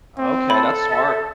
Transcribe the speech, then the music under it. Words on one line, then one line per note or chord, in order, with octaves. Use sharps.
Okay, that's smart.
C4
A4 B5
E5